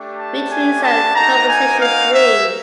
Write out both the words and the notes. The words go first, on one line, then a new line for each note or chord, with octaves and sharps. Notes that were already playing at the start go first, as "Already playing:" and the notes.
Retreats are conversation free.
Already playing: A3 D4 G4
A5
G#5
A5
A#3 D#4 F#4 A#5
G#5
F5
E5